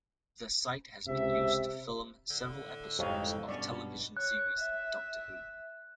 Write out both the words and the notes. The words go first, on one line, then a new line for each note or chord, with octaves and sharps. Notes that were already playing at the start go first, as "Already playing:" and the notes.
The site has been used to film several episodes of television series Doctor Who.
C#2 C3 E5
A2 D3
C2 F2 G#2 D#4 G4 C#5 F5
G2 B2 C#4 D5 G#5 C#6
C#5 F#6
E5